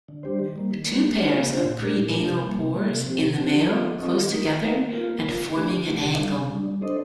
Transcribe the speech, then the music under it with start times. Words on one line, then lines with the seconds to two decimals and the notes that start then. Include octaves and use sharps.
Two pairs of preanal pores in the male, close together, and forming an angle.
0.08 D3
0.23 G3 D4 G4 C5
0.40 D#3
0.56 G3 A#3
0.71 D#3
0.86 G3 A#3
1.02 A#3
1.17 D4 F4 C5
1.34 A#3
1.49 D4 F4 C5
1.65 A#2
1.80 A3 D4 G4 A#4
1.96 A#2
2.12 A3 D4 G4 A#4
2.27 C3
2.43 G3 A#3
2.58 C3
2.74 G3 A#3
2.90 C3
3.06 F3 C4 G4
3.21 C3
3.37 F3 C4 G4
3.53 F3
3.68 C4 F4 A4 D#5
3.84 F3
4.00 C4 F4 A4 D#5
4.16 D#3
4.31 A3 D#4 A#4
4.46 D#3
4.62 A3 D#4 A#4
4.77 A#3
4.93 F4 A#4
5.09 A#3
5.24 F4 A#4
5.41 D3
5.56 A3 D4 G4
5.71 D3
5.88 A3 D4 G4
6.03 C3
6.19 G3 D4
6.34 C3
6.49 G3
6.55 D4
6.65 G3
6.81 D4 A4 C5 D#5